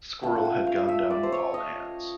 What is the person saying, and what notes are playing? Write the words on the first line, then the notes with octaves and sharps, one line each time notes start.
"Squirrel" had gone down with all hands.
A3 C#4 F4 G5
F#5
G5
F5
E5
D5
C5
C#5
D#5